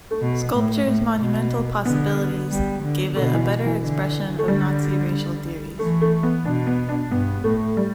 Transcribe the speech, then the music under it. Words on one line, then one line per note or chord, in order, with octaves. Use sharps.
Sculpture's monumental possibilities gave it a better expression of Nazi racial theories.
A3
B2
A2
A2
B2
D3 B3
G3
D3
B2 D3
E3
E3
D3
A3
D3 G3
E3 A3
A3
B3
B2 D4
B3
D4
G2 B3
A2 A3
G3